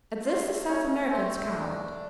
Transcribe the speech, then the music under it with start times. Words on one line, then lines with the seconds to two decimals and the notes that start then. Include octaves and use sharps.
At this the South American scowled.
0.25 A3 F4 F5
0.68 A3 C#4 C#5
1.10 A3 C4 C5
1.54 D4